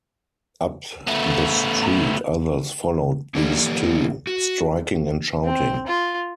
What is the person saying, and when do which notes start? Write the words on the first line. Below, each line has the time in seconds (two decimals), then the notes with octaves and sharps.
Up the street others followed these two, striking and shouting.
1.07 A3 B3
3.35 E3 A#3 G4 A4 D5
4.27 F#4
5.45 C4
5.87 F4